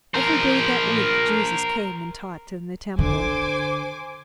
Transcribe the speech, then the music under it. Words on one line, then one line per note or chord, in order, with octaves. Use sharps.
Every day that week, Jesus came and taught in the Temple.
A#4 C5
D3 C5 G#5 D6